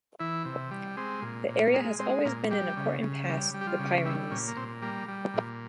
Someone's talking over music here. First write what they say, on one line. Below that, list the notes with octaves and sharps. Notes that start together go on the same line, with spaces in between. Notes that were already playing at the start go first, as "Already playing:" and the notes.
The area has always been an important pass through the Pyrenees.
E3 E4
C3
G3
G#3 C4
A#2
A#2
G#3 A#3
G#3 C4
A#2 A#3
G3 G4
C#3
C#3
G3
G3
G4
F4
C#3
G3 E4
A#2 C#4
A#3
A#2 C4
G3 A#3
G3
A#2